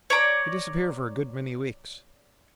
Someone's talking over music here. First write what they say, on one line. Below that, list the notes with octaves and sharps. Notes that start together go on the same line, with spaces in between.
He disappeared for a good many weeks.
C#5 D5 A#5